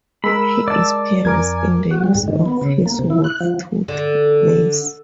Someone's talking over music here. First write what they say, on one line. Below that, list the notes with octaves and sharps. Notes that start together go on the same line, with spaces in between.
He is peerless in the use of his wolf-toothed mace.
G#3 A#4 B5 E6
D5 A5
F2 A#4 G#5 D6 G#6
F#4
G3
G#2
D#3
B3
C#3
A#3
C3
E4
F#6
F3
D3